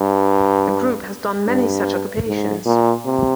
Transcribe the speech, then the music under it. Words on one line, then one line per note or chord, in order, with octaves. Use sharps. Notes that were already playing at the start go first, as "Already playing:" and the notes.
The group has done many such occupations.
Already playing: G2
G2
G#2
A#2
C3